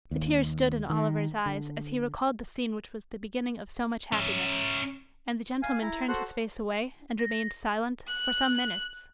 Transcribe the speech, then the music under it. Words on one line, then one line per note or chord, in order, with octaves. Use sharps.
The tears stood in Oliver's eyes as he recalled the scene which was the beginning of so much happiness; and the gentleman turned his face away, and remained silent, for some minutes.
D#2
D#3
D3
C#4 E5
F5 G#5
E4 A#5
F#4 A4 C5 F#5 C6 F#6
A#6
F#6